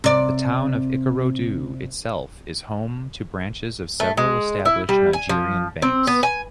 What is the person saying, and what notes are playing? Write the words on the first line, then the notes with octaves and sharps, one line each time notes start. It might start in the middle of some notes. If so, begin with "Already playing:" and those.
The town of Ikorodu itself is home to branches of several established Nigerian banks.
C3 D5
A3
G#3
E4
G3
G#5
F3
C4
B3
G#5